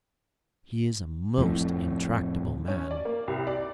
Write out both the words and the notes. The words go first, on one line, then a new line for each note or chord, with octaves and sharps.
"He is a most intractable man."
F2 A2
C#4
D5
A#3
C2
D5